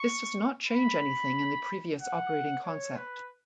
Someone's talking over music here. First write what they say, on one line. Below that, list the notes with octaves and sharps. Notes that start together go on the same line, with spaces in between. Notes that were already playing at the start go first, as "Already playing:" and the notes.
This does not change anything in the previous operating concept.
Already playing: C#6
B5
F#5
C#5
B4